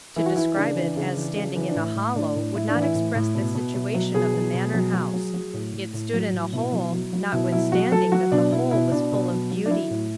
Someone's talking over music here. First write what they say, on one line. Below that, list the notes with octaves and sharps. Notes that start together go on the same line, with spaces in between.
To describe it as standing in a hollow would not express the situation of the manor-house; it stood in a hole, notwithstanding that the hole was full of beauty.
E3 E4
F#4
E3 E4
C#3 D4
E3
C#3
E3
C#3
E3
D4
A2 E4
A2
A2 D4
A2
A2 E4
D4
E3
E4
A2
A2
B2
B2
B2
F#3
B2 G#4
F#3
B2
F#3
F#3
F#3
F#3
A2
A2
A2
F#3
A2
B2 E4
F#3
F#3
F#3
B2 E4
F#3 E4
F#3 F#4
F#3 A4
F#3 F#4
B2 D4
B2 E4
B2 E4
B2 D4
B2
F#3
F#3
D4
F#3 E4
A2